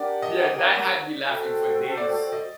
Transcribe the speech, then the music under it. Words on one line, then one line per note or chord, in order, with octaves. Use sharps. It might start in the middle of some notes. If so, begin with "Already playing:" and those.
yeah, that had me laughing for days.
Already playing: D4 G4 A#4 D5 F#5
D#5
F#4 A4 C5 G5
D5
D#5